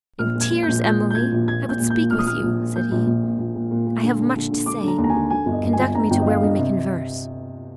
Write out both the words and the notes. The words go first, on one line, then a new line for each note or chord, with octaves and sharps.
'In tears, Emily! I would speak with you,' said he, 'I have much to say; conduct me to where we may converse.
A#1 F6
A#2
G#6
A#2
G6
A#1
A#1 G6
A#2
G6
A#2 G#6
A#1
A#2 G#6
A#2
G6
A#2
A#2 G6
A#1 F6
D#6
A#2 F6
A#1
A#2
A#2 G6
A#1
A#1
A#2
A#1
A#2
A#2
A#2
D3
D3
D3
D3
D3 D6
D3 A#5
D#2
A#5
D3 G#5
D3 G#5
G1
D#5
G2
G#5
G1
G2 A#5
G1 G5
D#5
D3 F5
G2 D#5
C3